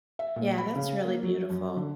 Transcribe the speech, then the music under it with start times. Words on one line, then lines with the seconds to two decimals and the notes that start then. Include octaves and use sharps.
Yeah, that's really beautiful.
0.19 E5
0.36 A#2
0.58 B5
0.76 C#3
1.04 A#3
1.23 F#3
1.50 F#2
1.76 D3